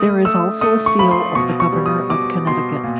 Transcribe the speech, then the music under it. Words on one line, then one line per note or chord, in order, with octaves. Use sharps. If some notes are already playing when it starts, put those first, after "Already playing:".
There is also a seal of the Governor of Connecticut.
Already playing: A3 D#6
A3 E6
A3 D#6
C#6
F3 B5
C6
B2 C#6
C#6
G3
D#6
B2 D6
B2 C6
A#2